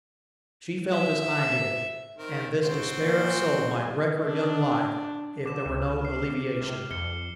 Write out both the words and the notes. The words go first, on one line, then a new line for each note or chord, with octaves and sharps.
She felt as I did, and this despair of soul might wreck her young life if there were no alleviation.
E5
D#3 C4 A#4
C#2 C4 F#4 C5
A#2
F#1
D4
D3 D6 E7
C#2
F6 C7
C3
F2 C#7 G7